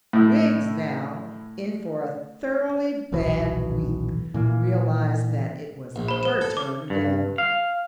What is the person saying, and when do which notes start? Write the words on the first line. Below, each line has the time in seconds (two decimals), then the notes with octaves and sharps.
Wiggs, now in for a thoroughly bad week, realised that it was her turn again.
0.13 A2 E4
3.12 D#1 B1 B2 E3
4.34 A#2 E3 A#3
5.96 A#1
6.08 C5 B5
6.23 C5 E7
6.41 A4
6.57 D6
6.90 G2
7.38 F5